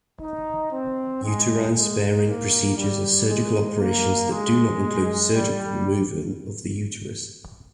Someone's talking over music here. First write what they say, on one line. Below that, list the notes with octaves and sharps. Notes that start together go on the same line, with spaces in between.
Uterine-sparing procedures are surgical operations that do not include surgical removal of the uterus.
D#4
C4
G#3
G#3
A#3
G3
G#3
A#3
G#3
G3